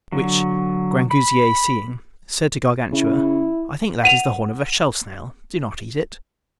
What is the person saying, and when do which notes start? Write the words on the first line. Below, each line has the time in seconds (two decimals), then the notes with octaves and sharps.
Which Grangousier seeing, said to Gargantua, I think that is the horn of a shell-snail, do not eat it.
0.12 D3 F#3
1.11 B5
2.92 C#3 E4
4.04 F#5 D#7 F7